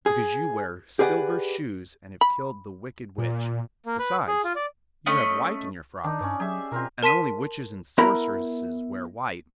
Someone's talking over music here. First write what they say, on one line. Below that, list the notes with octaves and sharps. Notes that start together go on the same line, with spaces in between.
"Because you wear silver shoes and have killed the Wicked Witch. Besides, you have white in your frock, and only witches and sorceresses wear white."
G#4
G4 G#4 B4 D5 F#5
B5
A#2
A#3
B4
G#4
F4
D5
A3 C#4 D#5
D#3 D4 D#4
G2 C#4 D5 C#6
F#3 G4 G#4 E5
B2 C4 F4 A#4
A#4 A5 C6 B6 D#7
B3 E4 A#4 A#5 B5